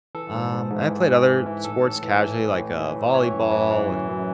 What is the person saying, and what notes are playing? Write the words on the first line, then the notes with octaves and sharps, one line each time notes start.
um, and I played other sports casually, like, uh, volleyball, and
E3 A4
G#2
G#2
G#2
E3
E3
E3
E3
A2 A4
A2
E3
E3
A2
A2
E3
A2
E3 C#5
F#2
E3
E3
F#2
F#2